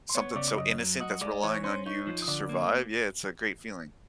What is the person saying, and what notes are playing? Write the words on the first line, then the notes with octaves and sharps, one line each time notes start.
something so innocent that's relying on you to survive, yeah, it's a great feeling.
C6
B3 C#5 C#6
C#6
C#3 D5 D6
D6
F#2 D#5 D#6
F#3
F#4 D#5 D#6
G#3 D5 D6
E3 C#5 C#6
C#4 C5 C6
D#4 C#5 C#6
F3
D#6
D3 D5 D6
A#3